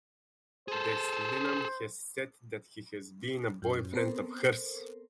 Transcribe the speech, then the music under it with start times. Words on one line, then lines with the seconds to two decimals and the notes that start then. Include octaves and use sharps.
Des Lynam has said that he has been a boyfriend of hers.
0.68 G#4 A4 C5
3.62 F#2 C#4
3.93 B3 C4 A4 A#4 C5